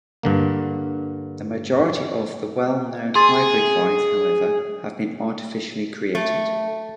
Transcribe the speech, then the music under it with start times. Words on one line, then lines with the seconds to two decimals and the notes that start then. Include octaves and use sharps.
The majority of the well-known hybrid vines however, have been artificially created.
0.23 G2 D3 A#3
3.15 G#4 C6 A6
6.15 A3